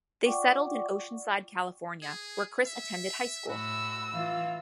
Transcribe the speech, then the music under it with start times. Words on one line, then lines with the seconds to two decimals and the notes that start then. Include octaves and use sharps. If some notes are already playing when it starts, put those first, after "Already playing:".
They settled in Oceanside, California, where Chris attended high school.
0.24 F4 D5 F#5 G5 C#6 D6
2.02 G#4
2.67 E5
3.49 A2 F#4 B5 E6
4.13 E3 F4 F5